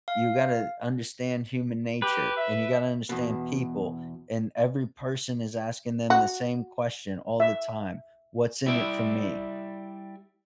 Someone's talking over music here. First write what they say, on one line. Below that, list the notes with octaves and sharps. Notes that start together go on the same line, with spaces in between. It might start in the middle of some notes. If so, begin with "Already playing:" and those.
you gotta understand human nature, and you gotta understand people, and every person is asking them the same question all the time. 'What's in it for me?'"
F5
G4 B4
E5
E2 B2
F#4
E5
G3 E4 D5 E5